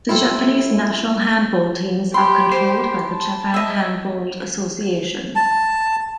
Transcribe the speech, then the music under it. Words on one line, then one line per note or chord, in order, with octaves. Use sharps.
The Japanese national handball teams are controlled by the Japan Handball Association.
E4 F4 G4 A4 B4
G4 B5 C6
C5
A5
D#5 E5
A5